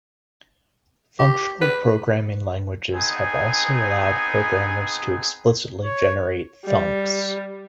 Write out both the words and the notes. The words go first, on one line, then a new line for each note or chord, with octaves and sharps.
Functional programming languages have also allowed programmers to explicitly generate thunks.
G4
B4
B3 C4 D#4 G#4 G#5
C#5
G3